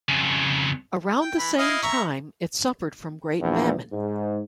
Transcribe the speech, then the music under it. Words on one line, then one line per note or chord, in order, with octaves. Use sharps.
Around the same time it suffered from great famine.
F2 C#3
G5
E3 B5
E4 D#5 F5
E5 A#5 C#6
A#1 E2
G#2